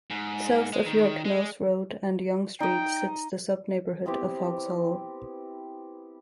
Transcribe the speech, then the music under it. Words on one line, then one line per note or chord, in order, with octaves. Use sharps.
South of York Mills Road and Yonge Street sits the sub-neighbourhood of Hoggs Hollow.
G#2
G#3
D#3
G#3
D#4 D#5 G5
B3 C4 E4 G4